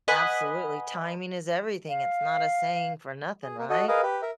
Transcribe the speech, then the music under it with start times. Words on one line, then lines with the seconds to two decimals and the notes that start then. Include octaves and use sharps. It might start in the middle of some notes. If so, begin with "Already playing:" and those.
Absolutely. Timing is everything, it's not a saying for nothing, right?
0.08 B4 D#5 F#5 G#5
1.89 F5
3.43 G#4
3.58 A#3
3.70 F#4 A4 D#5
3.88 G#4 A#4 B4 D#5 F5
4.03 G4 B4
4.22 A#4 E5